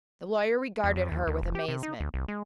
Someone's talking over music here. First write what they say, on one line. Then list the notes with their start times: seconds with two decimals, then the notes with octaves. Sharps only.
The lawyer regarded her with amazement.
0.84 E2
0.96 F2
1.11 D#2
1.27 D2
1.42 F1
1.55 G4
1.68 C3
1.83 D#4
2.00 D2
2.14 C2
2.28 G#3